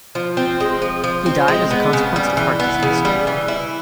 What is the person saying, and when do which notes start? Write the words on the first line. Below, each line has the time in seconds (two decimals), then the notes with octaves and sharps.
He died as a consequence of heart disease.
0.15 F3
0.37 C4
0.60 G#3
0.82 F3
1.04 F3
1.26 C4
1.48 G#3
1.71 B3
1.93 C#3
2.16 G3
2.37 E3
2.60 B3
2.83 C#3
3.05 G3
3.27 E3
3.48 E4